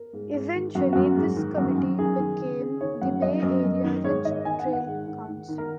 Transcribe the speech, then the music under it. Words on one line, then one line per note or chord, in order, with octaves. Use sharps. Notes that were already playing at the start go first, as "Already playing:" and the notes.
Eventually, this committee became the Bay Area Ridge Trail Council.
Already playing: A#4
G#2
G#2
D#3
F#2 F#4
F#2 F#4
G#2
D#3
F#2 F#4
F#2
D#3 G#4
D#3
C#3
C#3
D#3 C#5
F#2 F#5
F#2 D#5
F#2
F#2
D#3
G#2 C#5
D#3 D#5
D#3 G#5
F#5
D#3
F#5
G#2
D#3
D#3
D#3
A#4